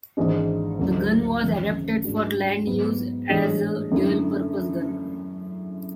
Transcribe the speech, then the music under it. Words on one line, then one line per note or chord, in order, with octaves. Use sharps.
The gun was adapted for land use as a dual-purpose gun.
G#1 G#2 E3 G#3 D4
D2 C#3 F#3 A3 E4
G#1 F#2 C#3 E3
G#2 G#3 D4 F#4
G#2 F#3 B3
A2 E3 G#3 D4
F#2 D3 A3 E4 A4